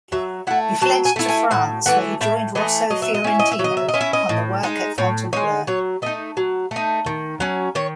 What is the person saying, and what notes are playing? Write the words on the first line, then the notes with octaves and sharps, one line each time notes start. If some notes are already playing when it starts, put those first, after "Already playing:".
He fled to France where he joined Rosso Fiorentino in the work at Fontainebleau.
F#3 E5
A3 E4 F#5
F#3 A5
G#5
A3 E4
G#5
A2 F#5
E3 A3 F#5
A2 E5
E3 A3 D#5
F#3 D#5
E5
D#5
C#4 E4 E5
D#5
E5
F#3
D#5
E5
D#5
C#4 E4
E5
D#5
A2
G#3 D#4
A2 C#5
G#3 D#4 C#5
F#3 C#5
A3 D#4 D#5
F#3
A3 D#4
D#3
F#3 C#4
D#3 C#5